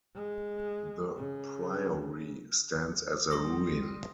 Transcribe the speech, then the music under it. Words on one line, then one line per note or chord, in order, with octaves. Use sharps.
The priory stands as a ruin.
G#3
C#3
G3 C6 D#6 A#6